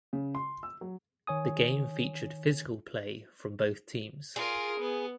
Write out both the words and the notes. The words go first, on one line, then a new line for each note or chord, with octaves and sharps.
The game featured physical play from both teams.
C#3
C6
E6
F#3
D#3 C#5 G#5 D#6
F4 G#4 A#4
B3